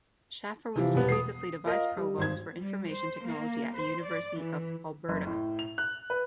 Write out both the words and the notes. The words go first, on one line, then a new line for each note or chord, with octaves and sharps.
Schaeffer was previously the Vice-Provost for Information Technology at the University of Alberta.
C3 E3 F3
E1 G3 B3
D#6 C7
F4 A#4 D#5 F5
G3
G#1 C5 G#6
G3
C5
A#3
C5
D5
E3
F#1
A2
F7
F#6
B4